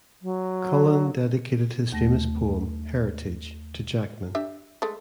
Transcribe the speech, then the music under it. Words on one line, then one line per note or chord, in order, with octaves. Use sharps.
Cullen dedicated his famous poem "Heritage" to Jackman.
F#3
D#2 A3 A#6
D4 G4 E5
G#3 A3